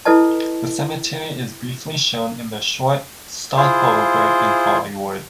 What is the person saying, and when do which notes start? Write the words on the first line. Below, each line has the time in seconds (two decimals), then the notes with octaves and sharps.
The cemetery is briefly shown in the short "Stopover in Hollywood".
0.05 E4 A4 B4 D#5 A5
3.57 E4 F4 G#4 C5